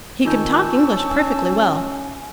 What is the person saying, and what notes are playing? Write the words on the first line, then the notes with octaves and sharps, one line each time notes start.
He could talk English perfectly well.
D#3 D#4 F4 G#5 A5 C#6 E6 G6
C#4